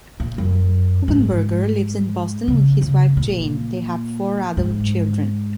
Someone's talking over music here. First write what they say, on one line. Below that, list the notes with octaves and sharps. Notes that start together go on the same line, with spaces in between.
Hugenberger lives in Boston with his wife Jane; they have four adult children.
A#2
F#2
G#2
C#3
C#3
A#2
G#2